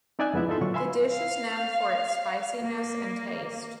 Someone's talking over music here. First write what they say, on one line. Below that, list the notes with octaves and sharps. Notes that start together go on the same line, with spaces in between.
The dish is known for its spiciness and taste.
C4 D#4 D5 E5 G#5 F#6
F2 G#3 B3 D4 E4 E5
G#2 D#4 F4 A4 E5 C6
A#2 D3 F#3 F4 C#6
E5 F5 G#5 B5 C6 E6
F5
A#3